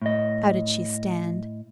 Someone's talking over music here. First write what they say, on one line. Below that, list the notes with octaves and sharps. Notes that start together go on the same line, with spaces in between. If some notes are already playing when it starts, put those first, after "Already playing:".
How did she stand?
A2 D#5